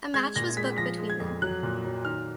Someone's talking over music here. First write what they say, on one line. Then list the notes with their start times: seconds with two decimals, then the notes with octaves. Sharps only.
A match was booked between them.
0.14 G#3 G#6
0.36 A#2 A#6
0.57 G#3 B6
0.78 F3 A#6
0.99 G#3
1.10 G#6
1.20 F2
1.42 F#3 F#6
1.63 A#2
1.84 F#3
2.05 D#3 F6